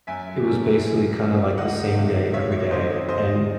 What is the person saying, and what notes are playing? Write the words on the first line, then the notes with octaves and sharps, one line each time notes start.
it was basically kinda like the same day every day, and
F#2 E5 G#5
E3 A3 C#4
F#2
E3 A3 C#4
C#2 D#5 F#5
C3 D#3
C#2 C#5 E5
C#5
C3 D#3 C5 D#5
C#5
E2 C5 D#5